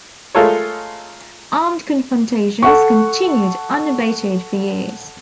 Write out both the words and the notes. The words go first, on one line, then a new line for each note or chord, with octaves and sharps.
Armed confrontations continued unabated for years.
G#3 A3 F4 A4 A#4 C#5
A4 F#5 C#6